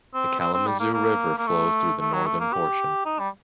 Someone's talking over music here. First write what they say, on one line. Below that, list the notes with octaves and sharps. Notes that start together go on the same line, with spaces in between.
The Kalamazoo River flows through the northern portion.
C4
C4
C4
G3
A#3
A#3
A#3
A3
A3
F#3
A3
A#3
G4
D#4
G3